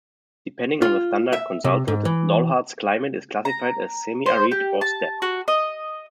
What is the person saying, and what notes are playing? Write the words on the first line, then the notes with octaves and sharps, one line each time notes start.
Depending on the standard consulted, Dalhart's climate is classified as "semi-arid" or "steppe".
F4
E5
C3
G#2
E3
A#5
C5
G4
A5
F#4
D#5